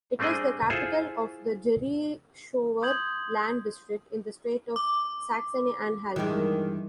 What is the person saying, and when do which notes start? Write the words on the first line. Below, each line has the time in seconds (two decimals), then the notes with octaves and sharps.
It is the capital of the Jerichower Land district in the state of Saxony-Anhalt.
0.19 G3 A3 C4 D4 G#4 D#5
0.70 E4 F4 G#4 A4 C5 E5
2.82 C6 D#6 G6 G#6 F#7
4.76 D6
6.16 G2 D#3 E3 G#3